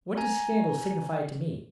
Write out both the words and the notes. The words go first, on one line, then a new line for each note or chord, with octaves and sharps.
What does scandal signify to me?
G#5 A#5